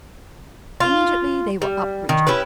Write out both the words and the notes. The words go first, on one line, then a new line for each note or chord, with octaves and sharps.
Immediately they were uprooted.
F4
G3
D#3
C#4 E4 G4 B4